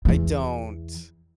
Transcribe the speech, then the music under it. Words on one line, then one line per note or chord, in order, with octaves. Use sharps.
I don't.
E2 E3